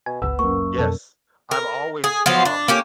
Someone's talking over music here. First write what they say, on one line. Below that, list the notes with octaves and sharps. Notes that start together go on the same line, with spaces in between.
Yes, I've always, um,
B2 G#5
G1 C#2 B3 E6
F#2 A#3 C#6
F2 B2 A4
A#4
G#4
F3 F#3 B3 F4
D4
A#3 C#4 G4